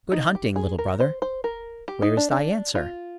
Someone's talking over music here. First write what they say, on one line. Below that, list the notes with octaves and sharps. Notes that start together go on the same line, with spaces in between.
"Good hunting, Little Brother! Where is thy answer?"
D#4
G4
G#4
A#4
C5
C5
A#4
G4
D#4
D4
D4
F4